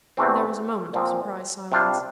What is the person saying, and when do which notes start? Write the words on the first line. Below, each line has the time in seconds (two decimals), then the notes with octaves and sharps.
There was a moment of surprised silence.
0.17 E2 C3 E3 A3 C4
0.93 A#2 F3 C4
1.72 C3 G3 D4 F4